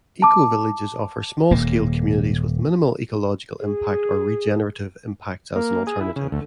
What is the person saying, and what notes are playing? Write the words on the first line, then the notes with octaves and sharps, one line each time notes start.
Ecovillages offer small-scale communities with minimal ecological impact or regenerative impacts as an alternative.
A5 D6
D#1 A#3
G#4
A#3
G#4
E4
C#3
D2